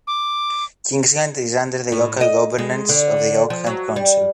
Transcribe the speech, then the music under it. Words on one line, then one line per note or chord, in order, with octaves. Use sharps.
Kingsland is under the local governance of the Auckland Council.
D6
A2
D#5
G#3
D3
F3
F#3
G3